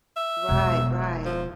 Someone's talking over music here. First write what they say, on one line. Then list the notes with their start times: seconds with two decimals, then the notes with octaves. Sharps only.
Right, right.
0.17 E5
0.49 E1 B2
1.25 F3